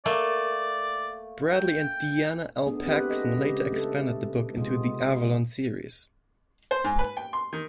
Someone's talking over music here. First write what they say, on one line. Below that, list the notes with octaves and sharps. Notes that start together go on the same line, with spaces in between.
Bradley and Diana L. Paxson later expanded the book into the "Avalon" series.
A3 A#3 D5
G5
A3 B3 D4 G#4
C4 G4 B4
G#4 A4 D#5
C#3 G#3 G4
A3 A4
C3 G#3 B3 F4 G#4
C5
G#2
B4
G5
C6
D#3